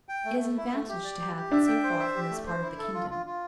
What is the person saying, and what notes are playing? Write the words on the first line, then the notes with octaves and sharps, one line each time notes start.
It is an advantage to have it so far from this part of the kingdom.
G5
A3
A3
E4
A3
G4
D5
G4
G4
D4 E5
G5
C5
E5
G4
A3
C5
E4
A4
F4
F4
F4